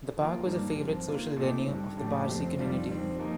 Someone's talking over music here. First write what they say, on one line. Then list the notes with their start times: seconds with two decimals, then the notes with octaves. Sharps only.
The park was a favourite social venue of the Parsi community.
0.17 F3 A#3 F4
0.46 G2 D#3 G3 A#3 D4
0.76 G2 F3 C4
1.07 D#3 A#3 F4
1.37 A#2 A3 C4 D#4
1.67 G2 D3 G3
1.97 A2 F3 A3 D4 G4
2.27 F2 C3 F3 A3 C4
2.58 F2 D#3 G3 D4 F4
2.87 F2 D#3 G3 C4
3.18 F3 A#3 D#4